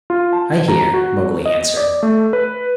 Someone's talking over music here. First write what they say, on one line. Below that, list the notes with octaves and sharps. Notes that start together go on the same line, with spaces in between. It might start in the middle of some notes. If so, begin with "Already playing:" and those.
"I hear," Mowgli answered.
F4
A5
A#5
F#4
D#5
D5
A3
B4